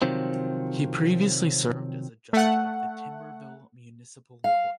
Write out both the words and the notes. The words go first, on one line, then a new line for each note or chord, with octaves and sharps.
He previously served as a judge of the Timberville Municipal Court.
C3 D#3 F3 F#3 C4
A3 F#5
F5